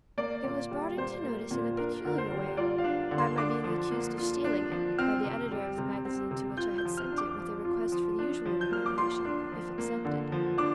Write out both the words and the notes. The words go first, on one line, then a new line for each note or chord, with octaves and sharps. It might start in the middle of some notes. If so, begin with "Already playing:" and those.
It was brought into notice in a peculiar way,--by my being accused of stealing it, by the editor of the magazine to which I had sent it with a request for the usual remuneration, if accepted.
A#3 D5
A#2
G3
A#2 C5
A#3
A#2
D4 A#4
D3 A#4
C5
G3
F4 D5
F5
D4
D3
C6
D4 D6
F3
A#3
F4
D4
F3
C4 F6
C3
G3
C3
C4
C3
F4 G6
G6
F3
F6
D4
D6
F3
F4
F3
D4
F3
G6
A#3 F6
D6
F4 C6
D4
F3
A#3
D3
F3
D4 D6